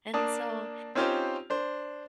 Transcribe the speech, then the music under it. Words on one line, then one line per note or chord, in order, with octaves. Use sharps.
And so
A#3 D4 A5 D#6
C4 C#4 D#4 F4 G4 C5
D4 C5